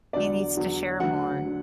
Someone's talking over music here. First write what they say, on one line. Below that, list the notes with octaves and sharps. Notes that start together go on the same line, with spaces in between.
he needs to share more."
E2 D3 F#3 D5
E2 D3 F#3
D2 D3 F#3 F#5
D3 F#3